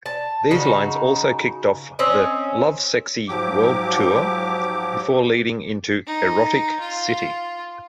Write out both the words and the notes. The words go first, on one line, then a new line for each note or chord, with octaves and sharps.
These lines also kicked off the Lovesexy World Tour, before leading into "Erotic City".
A5
C#3 D#4 F#4
C4 C#4 D#5
G#2 F3 F#3 G4 D6
D#4
F4